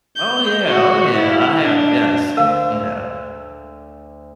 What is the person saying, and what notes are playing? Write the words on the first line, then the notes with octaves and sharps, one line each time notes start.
Oh, yeah. Oh, yeah. I have, yes. Yeah.
G6
F#4
E4
D4
D2 D3 A#4 F5 E6